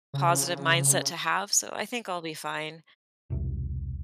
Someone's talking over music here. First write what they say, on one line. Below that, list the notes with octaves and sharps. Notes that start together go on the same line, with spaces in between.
positive mindset to have. So, I think I'll be fine.
C#3
E1 C2